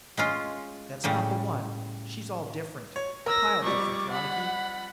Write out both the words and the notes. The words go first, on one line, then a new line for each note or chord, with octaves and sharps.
"That's not the one. She's all different, a pile different, Ronicky."
G#3 C#4 F4
A2 C#3 G3
C#5
A#4 E6 A#6
F2 G3 C#6 D6
F#5 B5